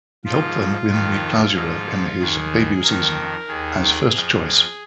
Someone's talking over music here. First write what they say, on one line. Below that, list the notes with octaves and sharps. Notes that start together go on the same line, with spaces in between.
He helped them win the Clausura in his debut season, as first-choice.
G#2 F3 F4
F2 D#3
G#2 F3
D#2 D#3 G#4
F2 D#3 A#4
D#2 D#3 G#4
G#4
F2 F3